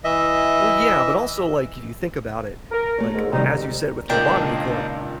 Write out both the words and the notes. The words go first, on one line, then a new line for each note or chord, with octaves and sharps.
Well, yeah, but also like, if you think about it, like, as you said with Lobotomy Corp,
E3 D#5 E5
A#4
A3 C#5
G#2 D3
C3 D#3 G3 D#4
C#2 A#2 A#3 D4 D#4 A#4 G5